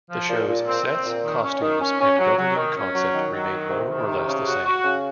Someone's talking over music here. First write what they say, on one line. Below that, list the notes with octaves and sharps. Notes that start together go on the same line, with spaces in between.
The show's sets, costumes and governing concept remain more or less the same.
F3
A#2
A#2
C4
C4
A#2
D#3
C#4
D#3
C#4
C#4
F#3
F#3
D#3
C#4
F#3
D#3
F#3
D#3
C3
D#3
C3
C#3
F#4
F#4
C#3